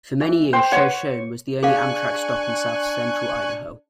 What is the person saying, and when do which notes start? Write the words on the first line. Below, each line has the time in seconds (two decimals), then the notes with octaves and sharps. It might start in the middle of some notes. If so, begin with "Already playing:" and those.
For many years, Shoshone was the only Amtrak stop in south central Idaho.
0.21 E3
0.53 G4 C5
0.72 B4 C#5 F#5
1.63 D4 G#4 F5 G#5 C#6 F#6